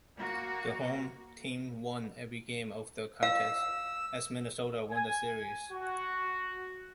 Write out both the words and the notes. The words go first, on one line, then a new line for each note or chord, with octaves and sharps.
The home team won every game of the contest, as Minnesota won the series.
A#3 F#4
F5 E6
G#5
F#4